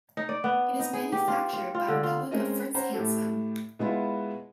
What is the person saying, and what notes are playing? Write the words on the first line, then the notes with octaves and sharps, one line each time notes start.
It is manufactured by Republic of Fritz Hansen.
D#4
D5
B3
D#4
G#4
G4
F4
F4
F4
D3
F4
G#3 C4 C#4 A#4 D#5
C#4 C5 F#5 A#5
A2 G4 A4
B2 G#3 B3 E4 F4